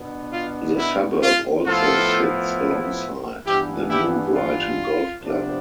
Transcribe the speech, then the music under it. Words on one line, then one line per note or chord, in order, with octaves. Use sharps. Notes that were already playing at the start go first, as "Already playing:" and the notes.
The suburb also sits alongside the New Brighton Golf Club.
Already playing: B2 B3 D4
F4
E4
F4
A2 F3 B3 E4 F4 A4
G2 E3 B3 D4 E4 G4
E4 G4
F4
C3 F3 B3 D4